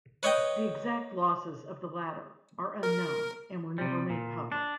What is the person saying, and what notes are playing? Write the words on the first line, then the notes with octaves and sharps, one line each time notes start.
The exact losses of the latter are unknown and were never made public.
B4 C#5 D#5 G5
A#4
C3 G3
A#2
D4